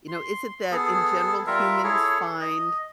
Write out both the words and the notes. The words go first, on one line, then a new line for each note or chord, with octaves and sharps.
You know, is it that in general humans find
C6
B3 G#4 A4
G3 F4 A#4 E5
E4 G#4 A4 C#5
D#5